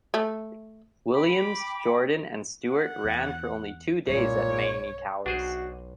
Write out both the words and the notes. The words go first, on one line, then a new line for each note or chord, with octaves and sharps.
Williams, Jordan and Stewart ran for only two days at Magny-Cours.
A3
G5 B5 D6
F#5
E2
B1 G2 A#2 G#3 C#5
B1 D4 F#4 G#4 C5